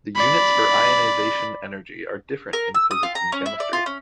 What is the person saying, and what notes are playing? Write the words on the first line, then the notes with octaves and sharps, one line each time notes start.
The units for ionization energy are different in physics and chemistry.
D5 B5
A#4
E6
D#6
F4
A#5
C#4
E4
D5
F4
C#4